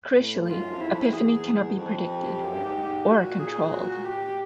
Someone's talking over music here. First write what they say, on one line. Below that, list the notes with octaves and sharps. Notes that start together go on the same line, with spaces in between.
Crucially, epiphany cannot be predicted, or controlled.
A2
G#2 F4
F#2
F2
E2 E4
F2
E2
G#4
F2
G4
F#2
G2
G#2
G#2
A#2 F#4
G#4
F#4
G4